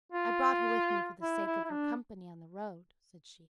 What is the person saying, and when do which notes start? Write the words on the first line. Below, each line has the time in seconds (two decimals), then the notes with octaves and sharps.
"I brought her with me for the sake of her company on the road," said she.
0.12 F4
1.22 E4
1.46 E4
1.65 E4
1.71 D4